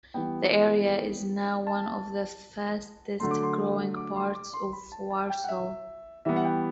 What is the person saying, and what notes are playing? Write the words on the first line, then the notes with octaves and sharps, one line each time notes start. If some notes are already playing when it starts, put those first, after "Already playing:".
The area is now one of the fastest-growing parts of Warsaw.
E3 G3 B3 G5
A5
D3 F#3 A3 C6
D6
C6
D6
C6
D6
C6
B5
A5
A5
G5
F#5
E5
E3 G3 B3 E5
F#5
G5